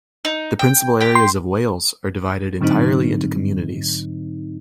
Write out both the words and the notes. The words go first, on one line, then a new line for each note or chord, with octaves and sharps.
The principal areas of Wales are divided entirely into communities.
D#4
G5
G4 G5
C6
G#2 D3 F#3 C4 D#4